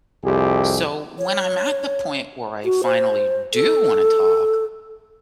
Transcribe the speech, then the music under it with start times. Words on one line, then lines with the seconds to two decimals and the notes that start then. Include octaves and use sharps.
so when I'm at the point where I finally do wanna talk,
0.24 C2 F2 G4 G#4
1.19 C#5
2.65 F#4
2.84 C5
3.54 A4